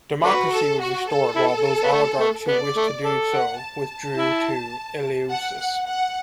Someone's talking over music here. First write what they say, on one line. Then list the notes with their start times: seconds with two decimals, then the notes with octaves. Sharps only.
Democracy was restored, while those oligarchs who wished to do so withdrew to Eleusis.
0.23 A3 D4 F#4 B4
0.52 A4
0.80 F#4
1.08 A4
1.36 E4
1.84 B3
1.92 A3
2.20 A3
2.48 B3 D5
2.77 A3
3.04 A4
3.33 F#5
3.60 A5
4.17 E4
5.30 F#5
5.58 F#5
5.86 F#5